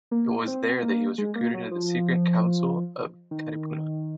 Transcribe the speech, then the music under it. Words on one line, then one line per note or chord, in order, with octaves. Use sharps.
It was there that he was recruited into the secret council of the Katipunan.
A#3
C4
A#3
G#3
A#3
F#3
F3
D#3